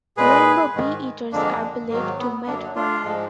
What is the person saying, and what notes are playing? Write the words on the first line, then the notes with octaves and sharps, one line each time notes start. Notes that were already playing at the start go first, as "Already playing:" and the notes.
Rainbow bee-eaters are believed to mate for life.
A#2 G#3 G#4 B4
G#2 D#3 G#3
F2 D3 G#3 A#3 D4
G#2 D#3 F#3 A#3
B3
F#2 D3 F#3 A#3 D4
D4 F4
G#2 F3 G#3